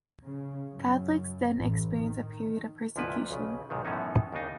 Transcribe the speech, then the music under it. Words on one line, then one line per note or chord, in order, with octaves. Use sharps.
Catholics then experience a period of persecution.
C#3
F#2
A1
D#3
D2 G#2 C3 F3 E4 B4
B1 C#3
B1 G#2 C3 D#3
F#2 A2 E3 B3 C#4 D#4
D#2 C#3 D4 D#4